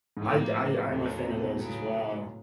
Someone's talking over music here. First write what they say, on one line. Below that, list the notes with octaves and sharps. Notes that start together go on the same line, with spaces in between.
I'd I I am a fan of those as well.
G#2
A2 F3 A#3 D#4
D#2 D3 F#3 A#3
C3
B2
A#2
A2 C#3 F#3 B3